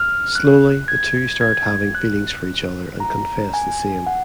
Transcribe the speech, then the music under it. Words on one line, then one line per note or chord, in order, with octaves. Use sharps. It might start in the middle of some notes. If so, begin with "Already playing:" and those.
Slowly the two start having feelings for each other and confess the same.
Already playing: F6
F#6
G#6
G#6
F#6
A#5
G#5
F#5